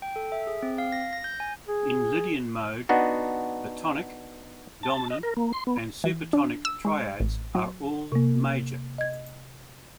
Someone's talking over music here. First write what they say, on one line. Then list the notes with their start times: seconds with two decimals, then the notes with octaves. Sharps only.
In Lydian mode, the tonic, dominant, and supertonic triads are all major.
0.02 G5
0.16 A4
0.32 E5
0.47 G#4
0.63 C4
0.78 F5
0.92 A#6
1.13 A#6
1.24 G6
1.40 G#5
1.68 G#4
2.89 B3 D4 D#4 F#4
4.83 A5
5.10 D#5
5.23 A#4
5.37 A#3
5.53 C6
5.67 B3
6.04 E3
6.33 D4
6.65 E6
6.85 G#3
7.20 A1
7.55 F#3
8.12 C3 A#3
8.98 D#5 G#6